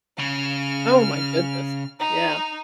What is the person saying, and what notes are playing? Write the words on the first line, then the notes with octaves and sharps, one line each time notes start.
Oh my goodness. Yeah.
C#3 F6
D#4 A#5